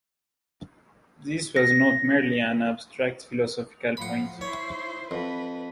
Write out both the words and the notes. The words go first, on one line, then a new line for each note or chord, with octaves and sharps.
This was not merely an abstract philosophical point.
A#6
A2 F3 F#5 B5
E4 C5 C#5
F2 B4